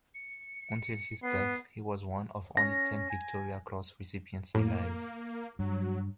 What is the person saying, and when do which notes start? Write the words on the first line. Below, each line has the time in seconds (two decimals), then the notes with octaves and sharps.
Until his death, he was one of only ten Victoria Cross recipients alive.
0.15 C#7
1.23 B3 C7
2.57 C#4 A#6
3.10 G#5
4.55 A2 A#3
5.59 G2 F#3